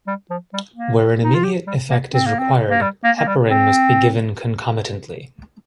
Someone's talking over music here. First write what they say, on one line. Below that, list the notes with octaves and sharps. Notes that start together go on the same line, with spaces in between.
Where an immediate effect is required, heparin must be given concomitantly.
G3
F3
G3
A#3
D#4
F4
G4
G3
A#3
C4
A#3
C4
A#3
G3
A#3
A#3
G3
C4